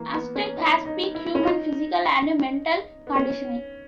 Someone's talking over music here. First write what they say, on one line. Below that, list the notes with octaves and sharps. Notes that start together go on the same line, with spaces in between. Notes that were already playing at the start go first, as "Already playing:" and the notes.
Aztek has peak human physical and mental conditioning.
Already playing: E3 A#3
B3
C#4
D#4
D#4
E4
C#4
D#4
B3
C#4